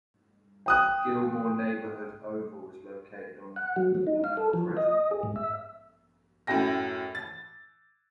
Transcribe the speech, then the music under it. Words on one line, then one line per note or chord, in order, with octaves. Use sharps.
Gilmore Neighbourhood Oval is located on Heagney Crescent.
G5 D#6 F#6
F#5
F#3
F#3
D#4
F5
A4
F3
D#5
G#4
G#2
E5
F#2 A2 F#4 G5 A#6
A6